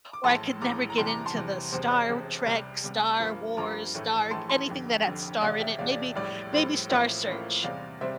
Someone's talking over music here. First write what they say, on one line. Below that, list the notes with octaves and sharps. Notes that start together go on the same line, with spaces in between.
or I could never get into the Star w Trek, Star Wars, Star anything that had star in it, maybe maybe Star Search,
D6
A#1 A2 E3 A5 C6
A#1 A2 E3 A#5 D6
A#5
E2 C3 E3 G3 A5 C6
A#5 D6
A5 C6
E2 C3 E3 G3
E1 E2 C3 C5
D5
E1 E2 C3
C2 C3 G3
C2 C3 G3
G2 F3 A#3
G2 F3 A#3 A#5 D6
A#1 A2 E3 A3
A#1 A2 E3 A3 A5 C6
A5 C6
F1 F2 D3
F1 F2 D3
E1 E2 C3 D5 F5
E5 G5
E1 E2 C3 D5 F5
D5
A#1 A2 G3 D5
A#1 A2 G3 C5
A1 A2 F3 A#3 C5 E5
A1 A2 F3 A#3
E2 C3 G3 C4 D5 F5
C3 G3 C4 C5 E5